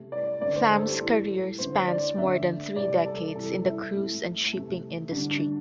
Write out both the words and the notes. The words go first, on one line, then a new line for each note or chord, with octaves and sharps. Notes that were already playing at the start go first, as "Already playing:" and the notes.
Thamm's career spans more than three decades in the cruise and shipping industry.
Already playing: C3 A3
D5
D3 A3 D5
C5
A4
G4
A2 E3 G3
D3 A3 C5
D5
D3 A3 E5
C3 G3 D5
A4
C3 E3 G3 A4
E4
A2 A3
C3 A3
D3 G3 D4
D4